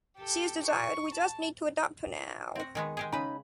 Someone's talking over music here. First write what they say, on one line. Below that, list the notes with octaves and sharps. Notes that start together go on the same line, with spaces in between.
She is desired, we just need to adopt her now.
G4 A4
C#6
A5
C4 F#4
D#3 G#3 B3
G#3 G4 G#4
C#3 C#4 D#4 B4 B5